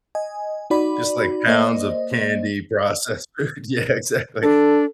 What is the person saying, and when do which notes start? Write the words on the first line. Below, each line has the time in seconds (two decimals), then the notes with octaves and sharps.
just like, pounds of candy processed food, yeah, exactly,
0.15 D#5 G#5
0.70 D#4 F#4 D5 B5
1.47 A#3 C5 D5 D#5
4.43 D4 A4